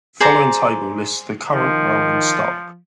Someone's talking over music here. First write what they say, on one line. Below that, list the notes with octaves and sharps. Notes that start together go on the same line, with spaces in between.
The following table lists the current rolling stock.
G#4 C5 D5 A#5
D#3 F3